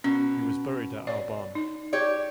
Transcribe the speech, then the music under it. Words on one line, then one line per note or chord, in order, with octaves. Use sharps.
He was buried at Arbonne.
B2 C#4
C#5 D5
D#4
G4 C#5 D5